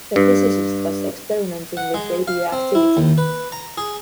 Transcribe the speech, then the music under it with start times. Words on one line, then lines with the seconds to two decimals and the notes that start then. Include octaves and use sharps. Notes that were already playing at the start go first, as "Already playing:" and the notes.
The physicist was experimenting with radioactivity.
0.16 G2
1.77 F#5
1.94 G#3
2.28 F5
2.52 C4
2.75 E4
2.97 D#2
3.18 B4
3.52 A#5
3.78 G#4